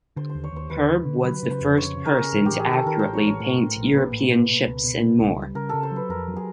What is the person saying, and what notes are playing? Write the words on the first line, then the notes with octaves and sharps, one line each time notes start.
Herb was the first person to accurately paint Europeans ships and more.
D3 C5
C5
D#2
C#5
D#2 C5
D#2 B4
D3
D3
F#3 B4
C#3
C5
F2
C#3 C#5
C#3
A#4
C#3 G#4
A1
A1 G4
G#4
D#3
A4
D#3 A#4
C5
A1
C#5
A1
C#5
A2 C5
A2
A#1
A#3 B4
A2
A#3
B2
C#2
B2
B2
C#2
G3
C#3 A#4
C#3 A4
C5
F#3 B4
F2 A#4
F#3
G#4